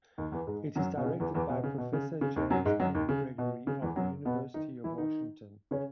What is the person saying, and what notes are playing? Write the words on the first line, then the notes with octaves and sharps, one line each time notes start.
It is directed by Professor James N. Gregory of the University of Washington.
D#2 D#3
E2 E3
G#2 G#3
F#2 F#3
B2
C#3
E2 E3
E2 E3
B2
C#3
B2
C#3
C#3
D#2 D#3
F#2 F#3
G#2 G#3
F#2 F#3
D#2 D#3
C#3
B2
C#3
E2 E3
F#2 F#3
B2 B3
D#3 D#4
E3 E4
D#3 D#4
C#3 C#4